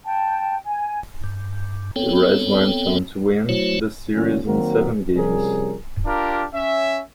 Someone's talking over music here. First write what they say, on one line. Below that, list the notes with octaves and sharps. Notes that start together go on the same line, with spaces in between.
The Reds went on to win the series in seven games.
G5 A5
G#5
G2
B3 C4 A4 C#5 G5
F#3 A3 E4 F#4 C5 C#5
C#2 A#2 E3 F#3 C#4
D#3 F#3 A#3 C4 F#4 A#4
C3 F3 G3 C#4 G#4 A#4
D4 F4 G4 A#4
C#4 E5